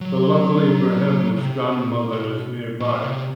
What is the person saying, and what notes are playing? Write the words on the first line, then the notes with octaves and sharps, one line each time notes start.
But luckily for him his grandmother is nearby.
F#3
C#3
C3
B2
A#2
B2
A#2
C3